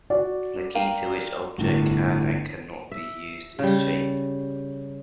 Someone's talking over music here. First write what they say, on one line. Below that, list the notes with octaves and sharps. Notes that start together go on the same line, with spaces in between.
The key to which objects can and can not be used is shape.
F#4 D5
A#4 F5 G5
G1 A2
E5
C#3 G3